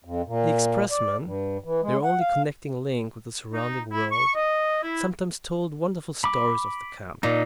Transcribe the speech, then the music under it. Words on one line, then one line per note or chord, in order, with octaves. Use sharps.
The expressman--their only connecting link with the surrounding world--sometimes told wonderful stories of the camp.
F2
A#2
D5
G2
E3
G#3
F#5
F5
D#4
E4
C#6
D#5
E4
B5 D6
A#2 D#4